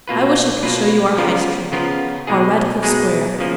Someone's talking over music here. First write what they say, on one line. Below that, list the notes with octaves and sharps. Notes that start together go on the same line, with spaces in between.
I wish I could show you our High Street--our Radcliffe Square.
B2 A#3 F4 B4
B2 A#3 F4 B4
C#3 F3 B3 F4 A#4
C#3 F3 B3 F4 A#4
B2 G#3 D#4 G#4
B2 G#3 D#4 G#4
C#3 F3 A#3